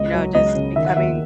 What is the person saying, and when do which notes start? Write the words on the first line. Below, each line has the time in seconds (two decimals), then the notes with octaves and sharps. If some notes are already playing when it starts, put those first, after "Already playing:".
you know just becoming
Already playing: C#2 D#5
0.14 F#3
0.35 C#2 D#5
0.55 C#3
0.76 D#3 E5
0.86 F#5
0.97 D#2 E5